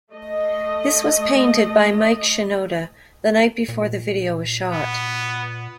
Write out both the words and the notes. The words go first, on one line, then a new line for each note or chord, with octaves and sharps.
This was painted by Mike Shinoda the night before the video was shot.
A3 D#5
A#2
B3